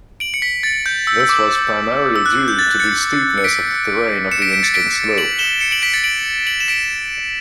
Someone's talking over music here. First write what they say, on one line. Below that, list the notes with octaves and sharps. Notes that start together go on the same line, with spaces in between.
This was primarily due to the steepness of the terrain on the eastern slope.
D7 F#7
C#7
B6
A6
G6
E6
E6
D6
E6
F#6
G6
A6
A6 C#7
C#7
B6 D7
C#7 E7
B6 D7
B6 D7
A6 C#7
B6 D7
D7 F#7
E7 G7
C#7 E7
D7 F#7
B6 D7
A6 C#7
D7 F#7
D7 F#7
E7
B6 D7